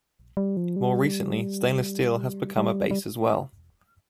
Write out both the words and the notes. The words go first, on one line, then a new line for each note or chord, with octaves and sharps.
More recently stainless steel has become a base as well.
G3
F3
G3
G3
G3